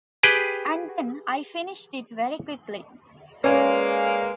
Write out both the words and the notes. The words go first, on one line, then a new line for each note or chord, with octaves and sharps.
And then I finished it very quickly.
G4 G#4 B4 G5
G#3 A#3 C#4 B4 C#5 D5 F5 G#5